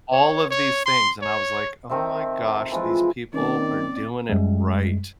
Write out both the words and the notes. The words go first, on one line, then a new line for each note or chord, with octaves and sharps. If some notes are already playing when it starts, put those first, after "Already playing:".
all of these things, and I was like, "Oh my gosh, these people are doing it right."
C#5
C#5
C6
C#5
D#3 C4 A4 E5
A4
E3 F3 G#3 F4
D#3 A#3 C4 C#4 D5
F#2 G3 G#3